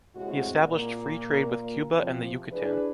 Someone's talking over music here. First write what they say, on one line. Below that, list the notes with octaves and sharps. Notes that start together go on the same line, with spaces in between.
He established free trade with Cuba and the Yucatán.
A2 C3 G#3 C4 F#4
A#2 A#3
C3 F3 C4
D4 E4 G#4 B4